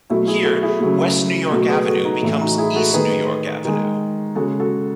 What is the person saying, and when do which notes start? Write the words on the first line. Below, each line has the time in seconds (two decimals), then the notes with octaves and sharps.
Here, West New York Avenue becomes East New York Avenue.
0.10 B2 F#3 A3 E4
0.27 E4 G#4
0.45 F#4 A4
0.63 E4 G#4
0.81 C#3 F#3 A3
1.51 B2 F#3 A3 F#4 A4
1.69 G#4 B4
1.87 F#4 A4
2.05 D#4 F#4
2.22 A2 E3 A3 E4
2.41 D#4 F#4
2.58 E4 G#4
2.76 F#4 A4
2.93 D#3 A3 G#4 B4
3.65 D#3 G#3
4.35 C#3 G#3 F#4 A4
4.60 F#4 A4